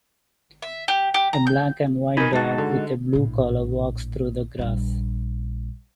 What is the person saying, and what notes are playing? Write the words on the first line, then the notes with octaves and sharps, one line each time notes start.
A black and white dog with a blue collar walks through the grass.
E5
G4
G4
A#5
G6
B2 D#4 A#4 G#5 B5
G#3 D#4 F#4 A5 A6
D3
A#1 A2
A#1 G3